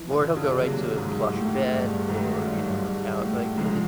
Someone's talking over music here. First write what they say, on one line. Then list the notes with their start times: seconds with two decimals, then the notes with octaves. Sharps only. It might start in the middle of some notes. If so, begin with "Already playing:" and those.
Or he'll go right to a plush bed or, you know, a cou like, i it
Already playing: E3 F3
0.11 D3
0.36 C#3
0.61 C3 D#3 F#3 A#3
0.97 G#2
1.35 A2
1.72 G2
2.09 G#2 D#3 F#3 A3
2.46 G2
2.83 G2
3.20 A2
3.57 G#2 C#3 F3 G#3